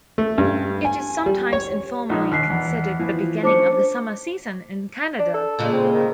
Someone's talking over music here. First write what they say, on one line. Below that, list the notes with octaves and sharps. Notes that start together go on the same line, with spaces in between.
It is sometimes informally considered the beginning of the summer season in Canada.
A3
G2
G#5
G3
C#5
A#1 D#4
D#2 F#6 B6 C7
E2
E3 F3
A3 C#4 D4 C5 D6 C#7
D4
A4
A#2 C#3 G#3
C4
D#3